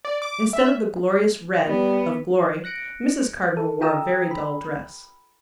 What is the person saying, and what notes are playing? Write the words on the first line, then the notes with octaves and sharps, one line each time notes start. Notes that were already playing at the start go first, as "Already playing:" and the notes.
Instead of the glorious red of Glory, Mrs. Cardinal wore a very dull dress.
D5
D6
E5
G3 B3
F#6 A#6 C#7 D7
A4
F4 A4 G5 A#5 D#6 E6
B5